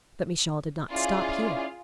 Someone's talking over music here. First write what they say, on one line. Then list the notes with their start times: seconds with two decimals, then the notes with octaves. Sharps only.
But Michal did not stop here.
0.91 C#4 E4 F4 G#4 D5